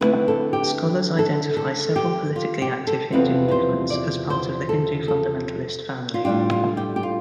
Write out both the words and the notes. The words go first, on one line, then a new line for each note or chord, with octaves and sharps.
Scholars identify several politically active Hindu movements as part of the Hindu fundamentalist family.
D3 A3 C4 E4 B4
A4
G4
A4
A4
G4
F4
G4
A4
E2 C3 F3 C4 E4 B4
B4
C5
D5
C5
A4
A4
F4
A2 G3 D4 F4 G4
F4
G4
G4
F4